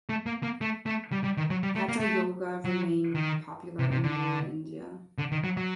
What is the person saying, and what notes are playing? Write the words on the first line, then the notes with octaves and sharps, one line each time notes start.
Hatha yoga remained popular in rural India.
A3
A#3
A#3
A3
A3
G3
G3
D#3
F#3
G3
A3
A#3
A3
F#3
D#3
C3
C3
D3
D3
D#3
F#3
F#3